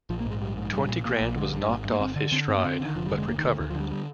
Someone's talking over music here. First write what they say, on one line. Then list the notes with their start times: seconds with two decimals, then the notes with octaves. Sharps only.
Twenty Grand was knocked off his stride but recovered.
0.10 A#1 F3
0.20 A#3
0.26 G#2 G#3
0.41 A#1 G3
0.57 G#2
0.73 A#1 G3
0.89 A#2
1.05 A#2
1.21 A#1
1.37 D3 G#3
1.53 G2
1.68 G#1 A#3
1.85 G2
1.90 A#3
2.00 G1 C4
2.16 D3
2.32 D3 C4
2.48 G2 C4
2.58 A#3
2.64 D3 C4
2.80 D3
2.85 D#3
2.96 F1 F3
3.06 G3
3.12 D3
3.18 G#3
3.27 D2 A#3
3.38 D#3
3.43 D2 D3
3.59 D2 D#3
3.70 F3
3.75 D3 G3
3.91 G3